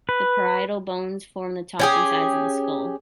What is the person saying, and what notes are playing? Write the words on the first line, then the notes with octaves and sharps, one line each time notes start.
The parietal bones form the top and sides of the skull.
B4
C#4 G4 G#4